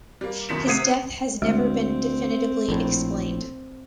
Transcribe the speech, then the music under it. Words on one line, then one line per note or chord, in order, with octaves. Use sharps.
His death has never been definitively explained.
G3 A#3
F#2 B2 D#3 B6 C#7 E7
C3 F#5 D#6 G#6 C7 D#7
D2 G#3 C4
A#1 A2